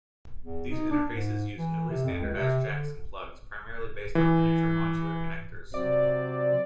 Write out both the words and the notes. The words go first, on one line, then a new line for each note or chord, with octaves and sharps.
These interfaces used newly standardized jacks and plugs, primarily based on miniature modular connectors.
E2
D#4
D4
G#2
E3
C3
F2
C#2
C3
D3
E3
C3 F#3 C4 D5